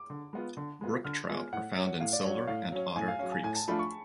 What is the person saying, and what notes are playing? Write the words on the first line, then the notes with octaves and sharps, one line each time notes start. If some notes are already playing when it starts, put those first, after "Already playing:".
Brook trout are found in Silver and Otter creeks.
Already playing: D6
D3
G#3 B3 F4
D3
G#3 B3 F4
D3 F6
G#3 B3 F4 G#5
A2 F#5
F#3 C#4
A2 F5
D5
F#3 C#4 C#5
C#5
A2 F5
F#3 C#4
A2 G#5
F5
F#3 C#4 F5
G#5
A2 G#5
A5
F3 A3 D4 F4 B5
C#6